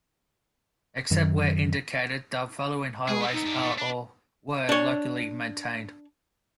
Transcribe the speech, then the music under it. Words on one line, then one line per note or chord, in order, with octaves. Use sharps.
Except where indicated, the following highways are or were locally maintained.
F#2 D#3
G#3 G#4
B3 C4
D#4
G2 D4
A#2 A3
D4
D4 C#5